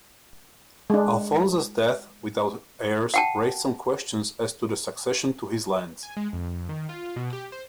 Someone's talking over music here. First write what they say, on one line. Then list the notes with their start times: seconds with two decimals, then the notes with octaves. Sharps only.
Alphonse's death without heirs raised some questions as to the succession to his lands.
0.90 G#3 D4
3.14 F#5 G5 A5
6.03 G#5
6.17 G#3
6.33 F2
6.69 D#3
6.89 F4
7.16 B2
7.33 G4
7.52 C5